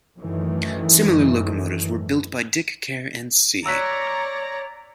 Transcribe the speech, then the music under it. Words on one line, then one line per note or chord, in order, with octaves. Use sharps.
Similar locomotives were built by Dick, Kerr and C.
F#2 D#3 E3 A3
C#5 D5 A#5 E6 F#6 B6